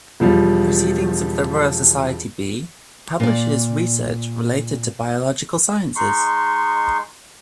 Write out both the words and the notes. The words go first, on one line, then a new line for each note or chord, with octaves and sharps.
"Proceedings of the Royal Society B" publishes research related to biological sciences.
E1 F3 G3
A#2 D5
G#3 D#4 C6 C#6